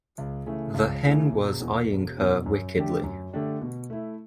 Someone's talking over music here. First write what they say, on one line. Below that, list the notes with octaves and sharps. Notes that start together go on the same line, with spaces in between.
The hen was eyeing her wickedly.
C#2
C#3 E3 A3
C#2
C#3 E3 A3
E1
E2 B2
E1
E2 B2
F#2
D3 A3 D4 G4
F#2
D3 A3 D4 G4
B2
A3 E4